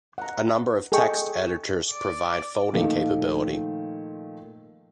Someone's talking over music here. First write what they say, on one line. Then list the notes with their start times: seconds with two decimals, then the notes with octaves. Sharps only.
A number of text editors provide folding capability.
0.18 F#5 A#5
0.92 G#4 A4 D#5 G5 C#6
1.91 D5
2.73 A#2 D#3 F3 A3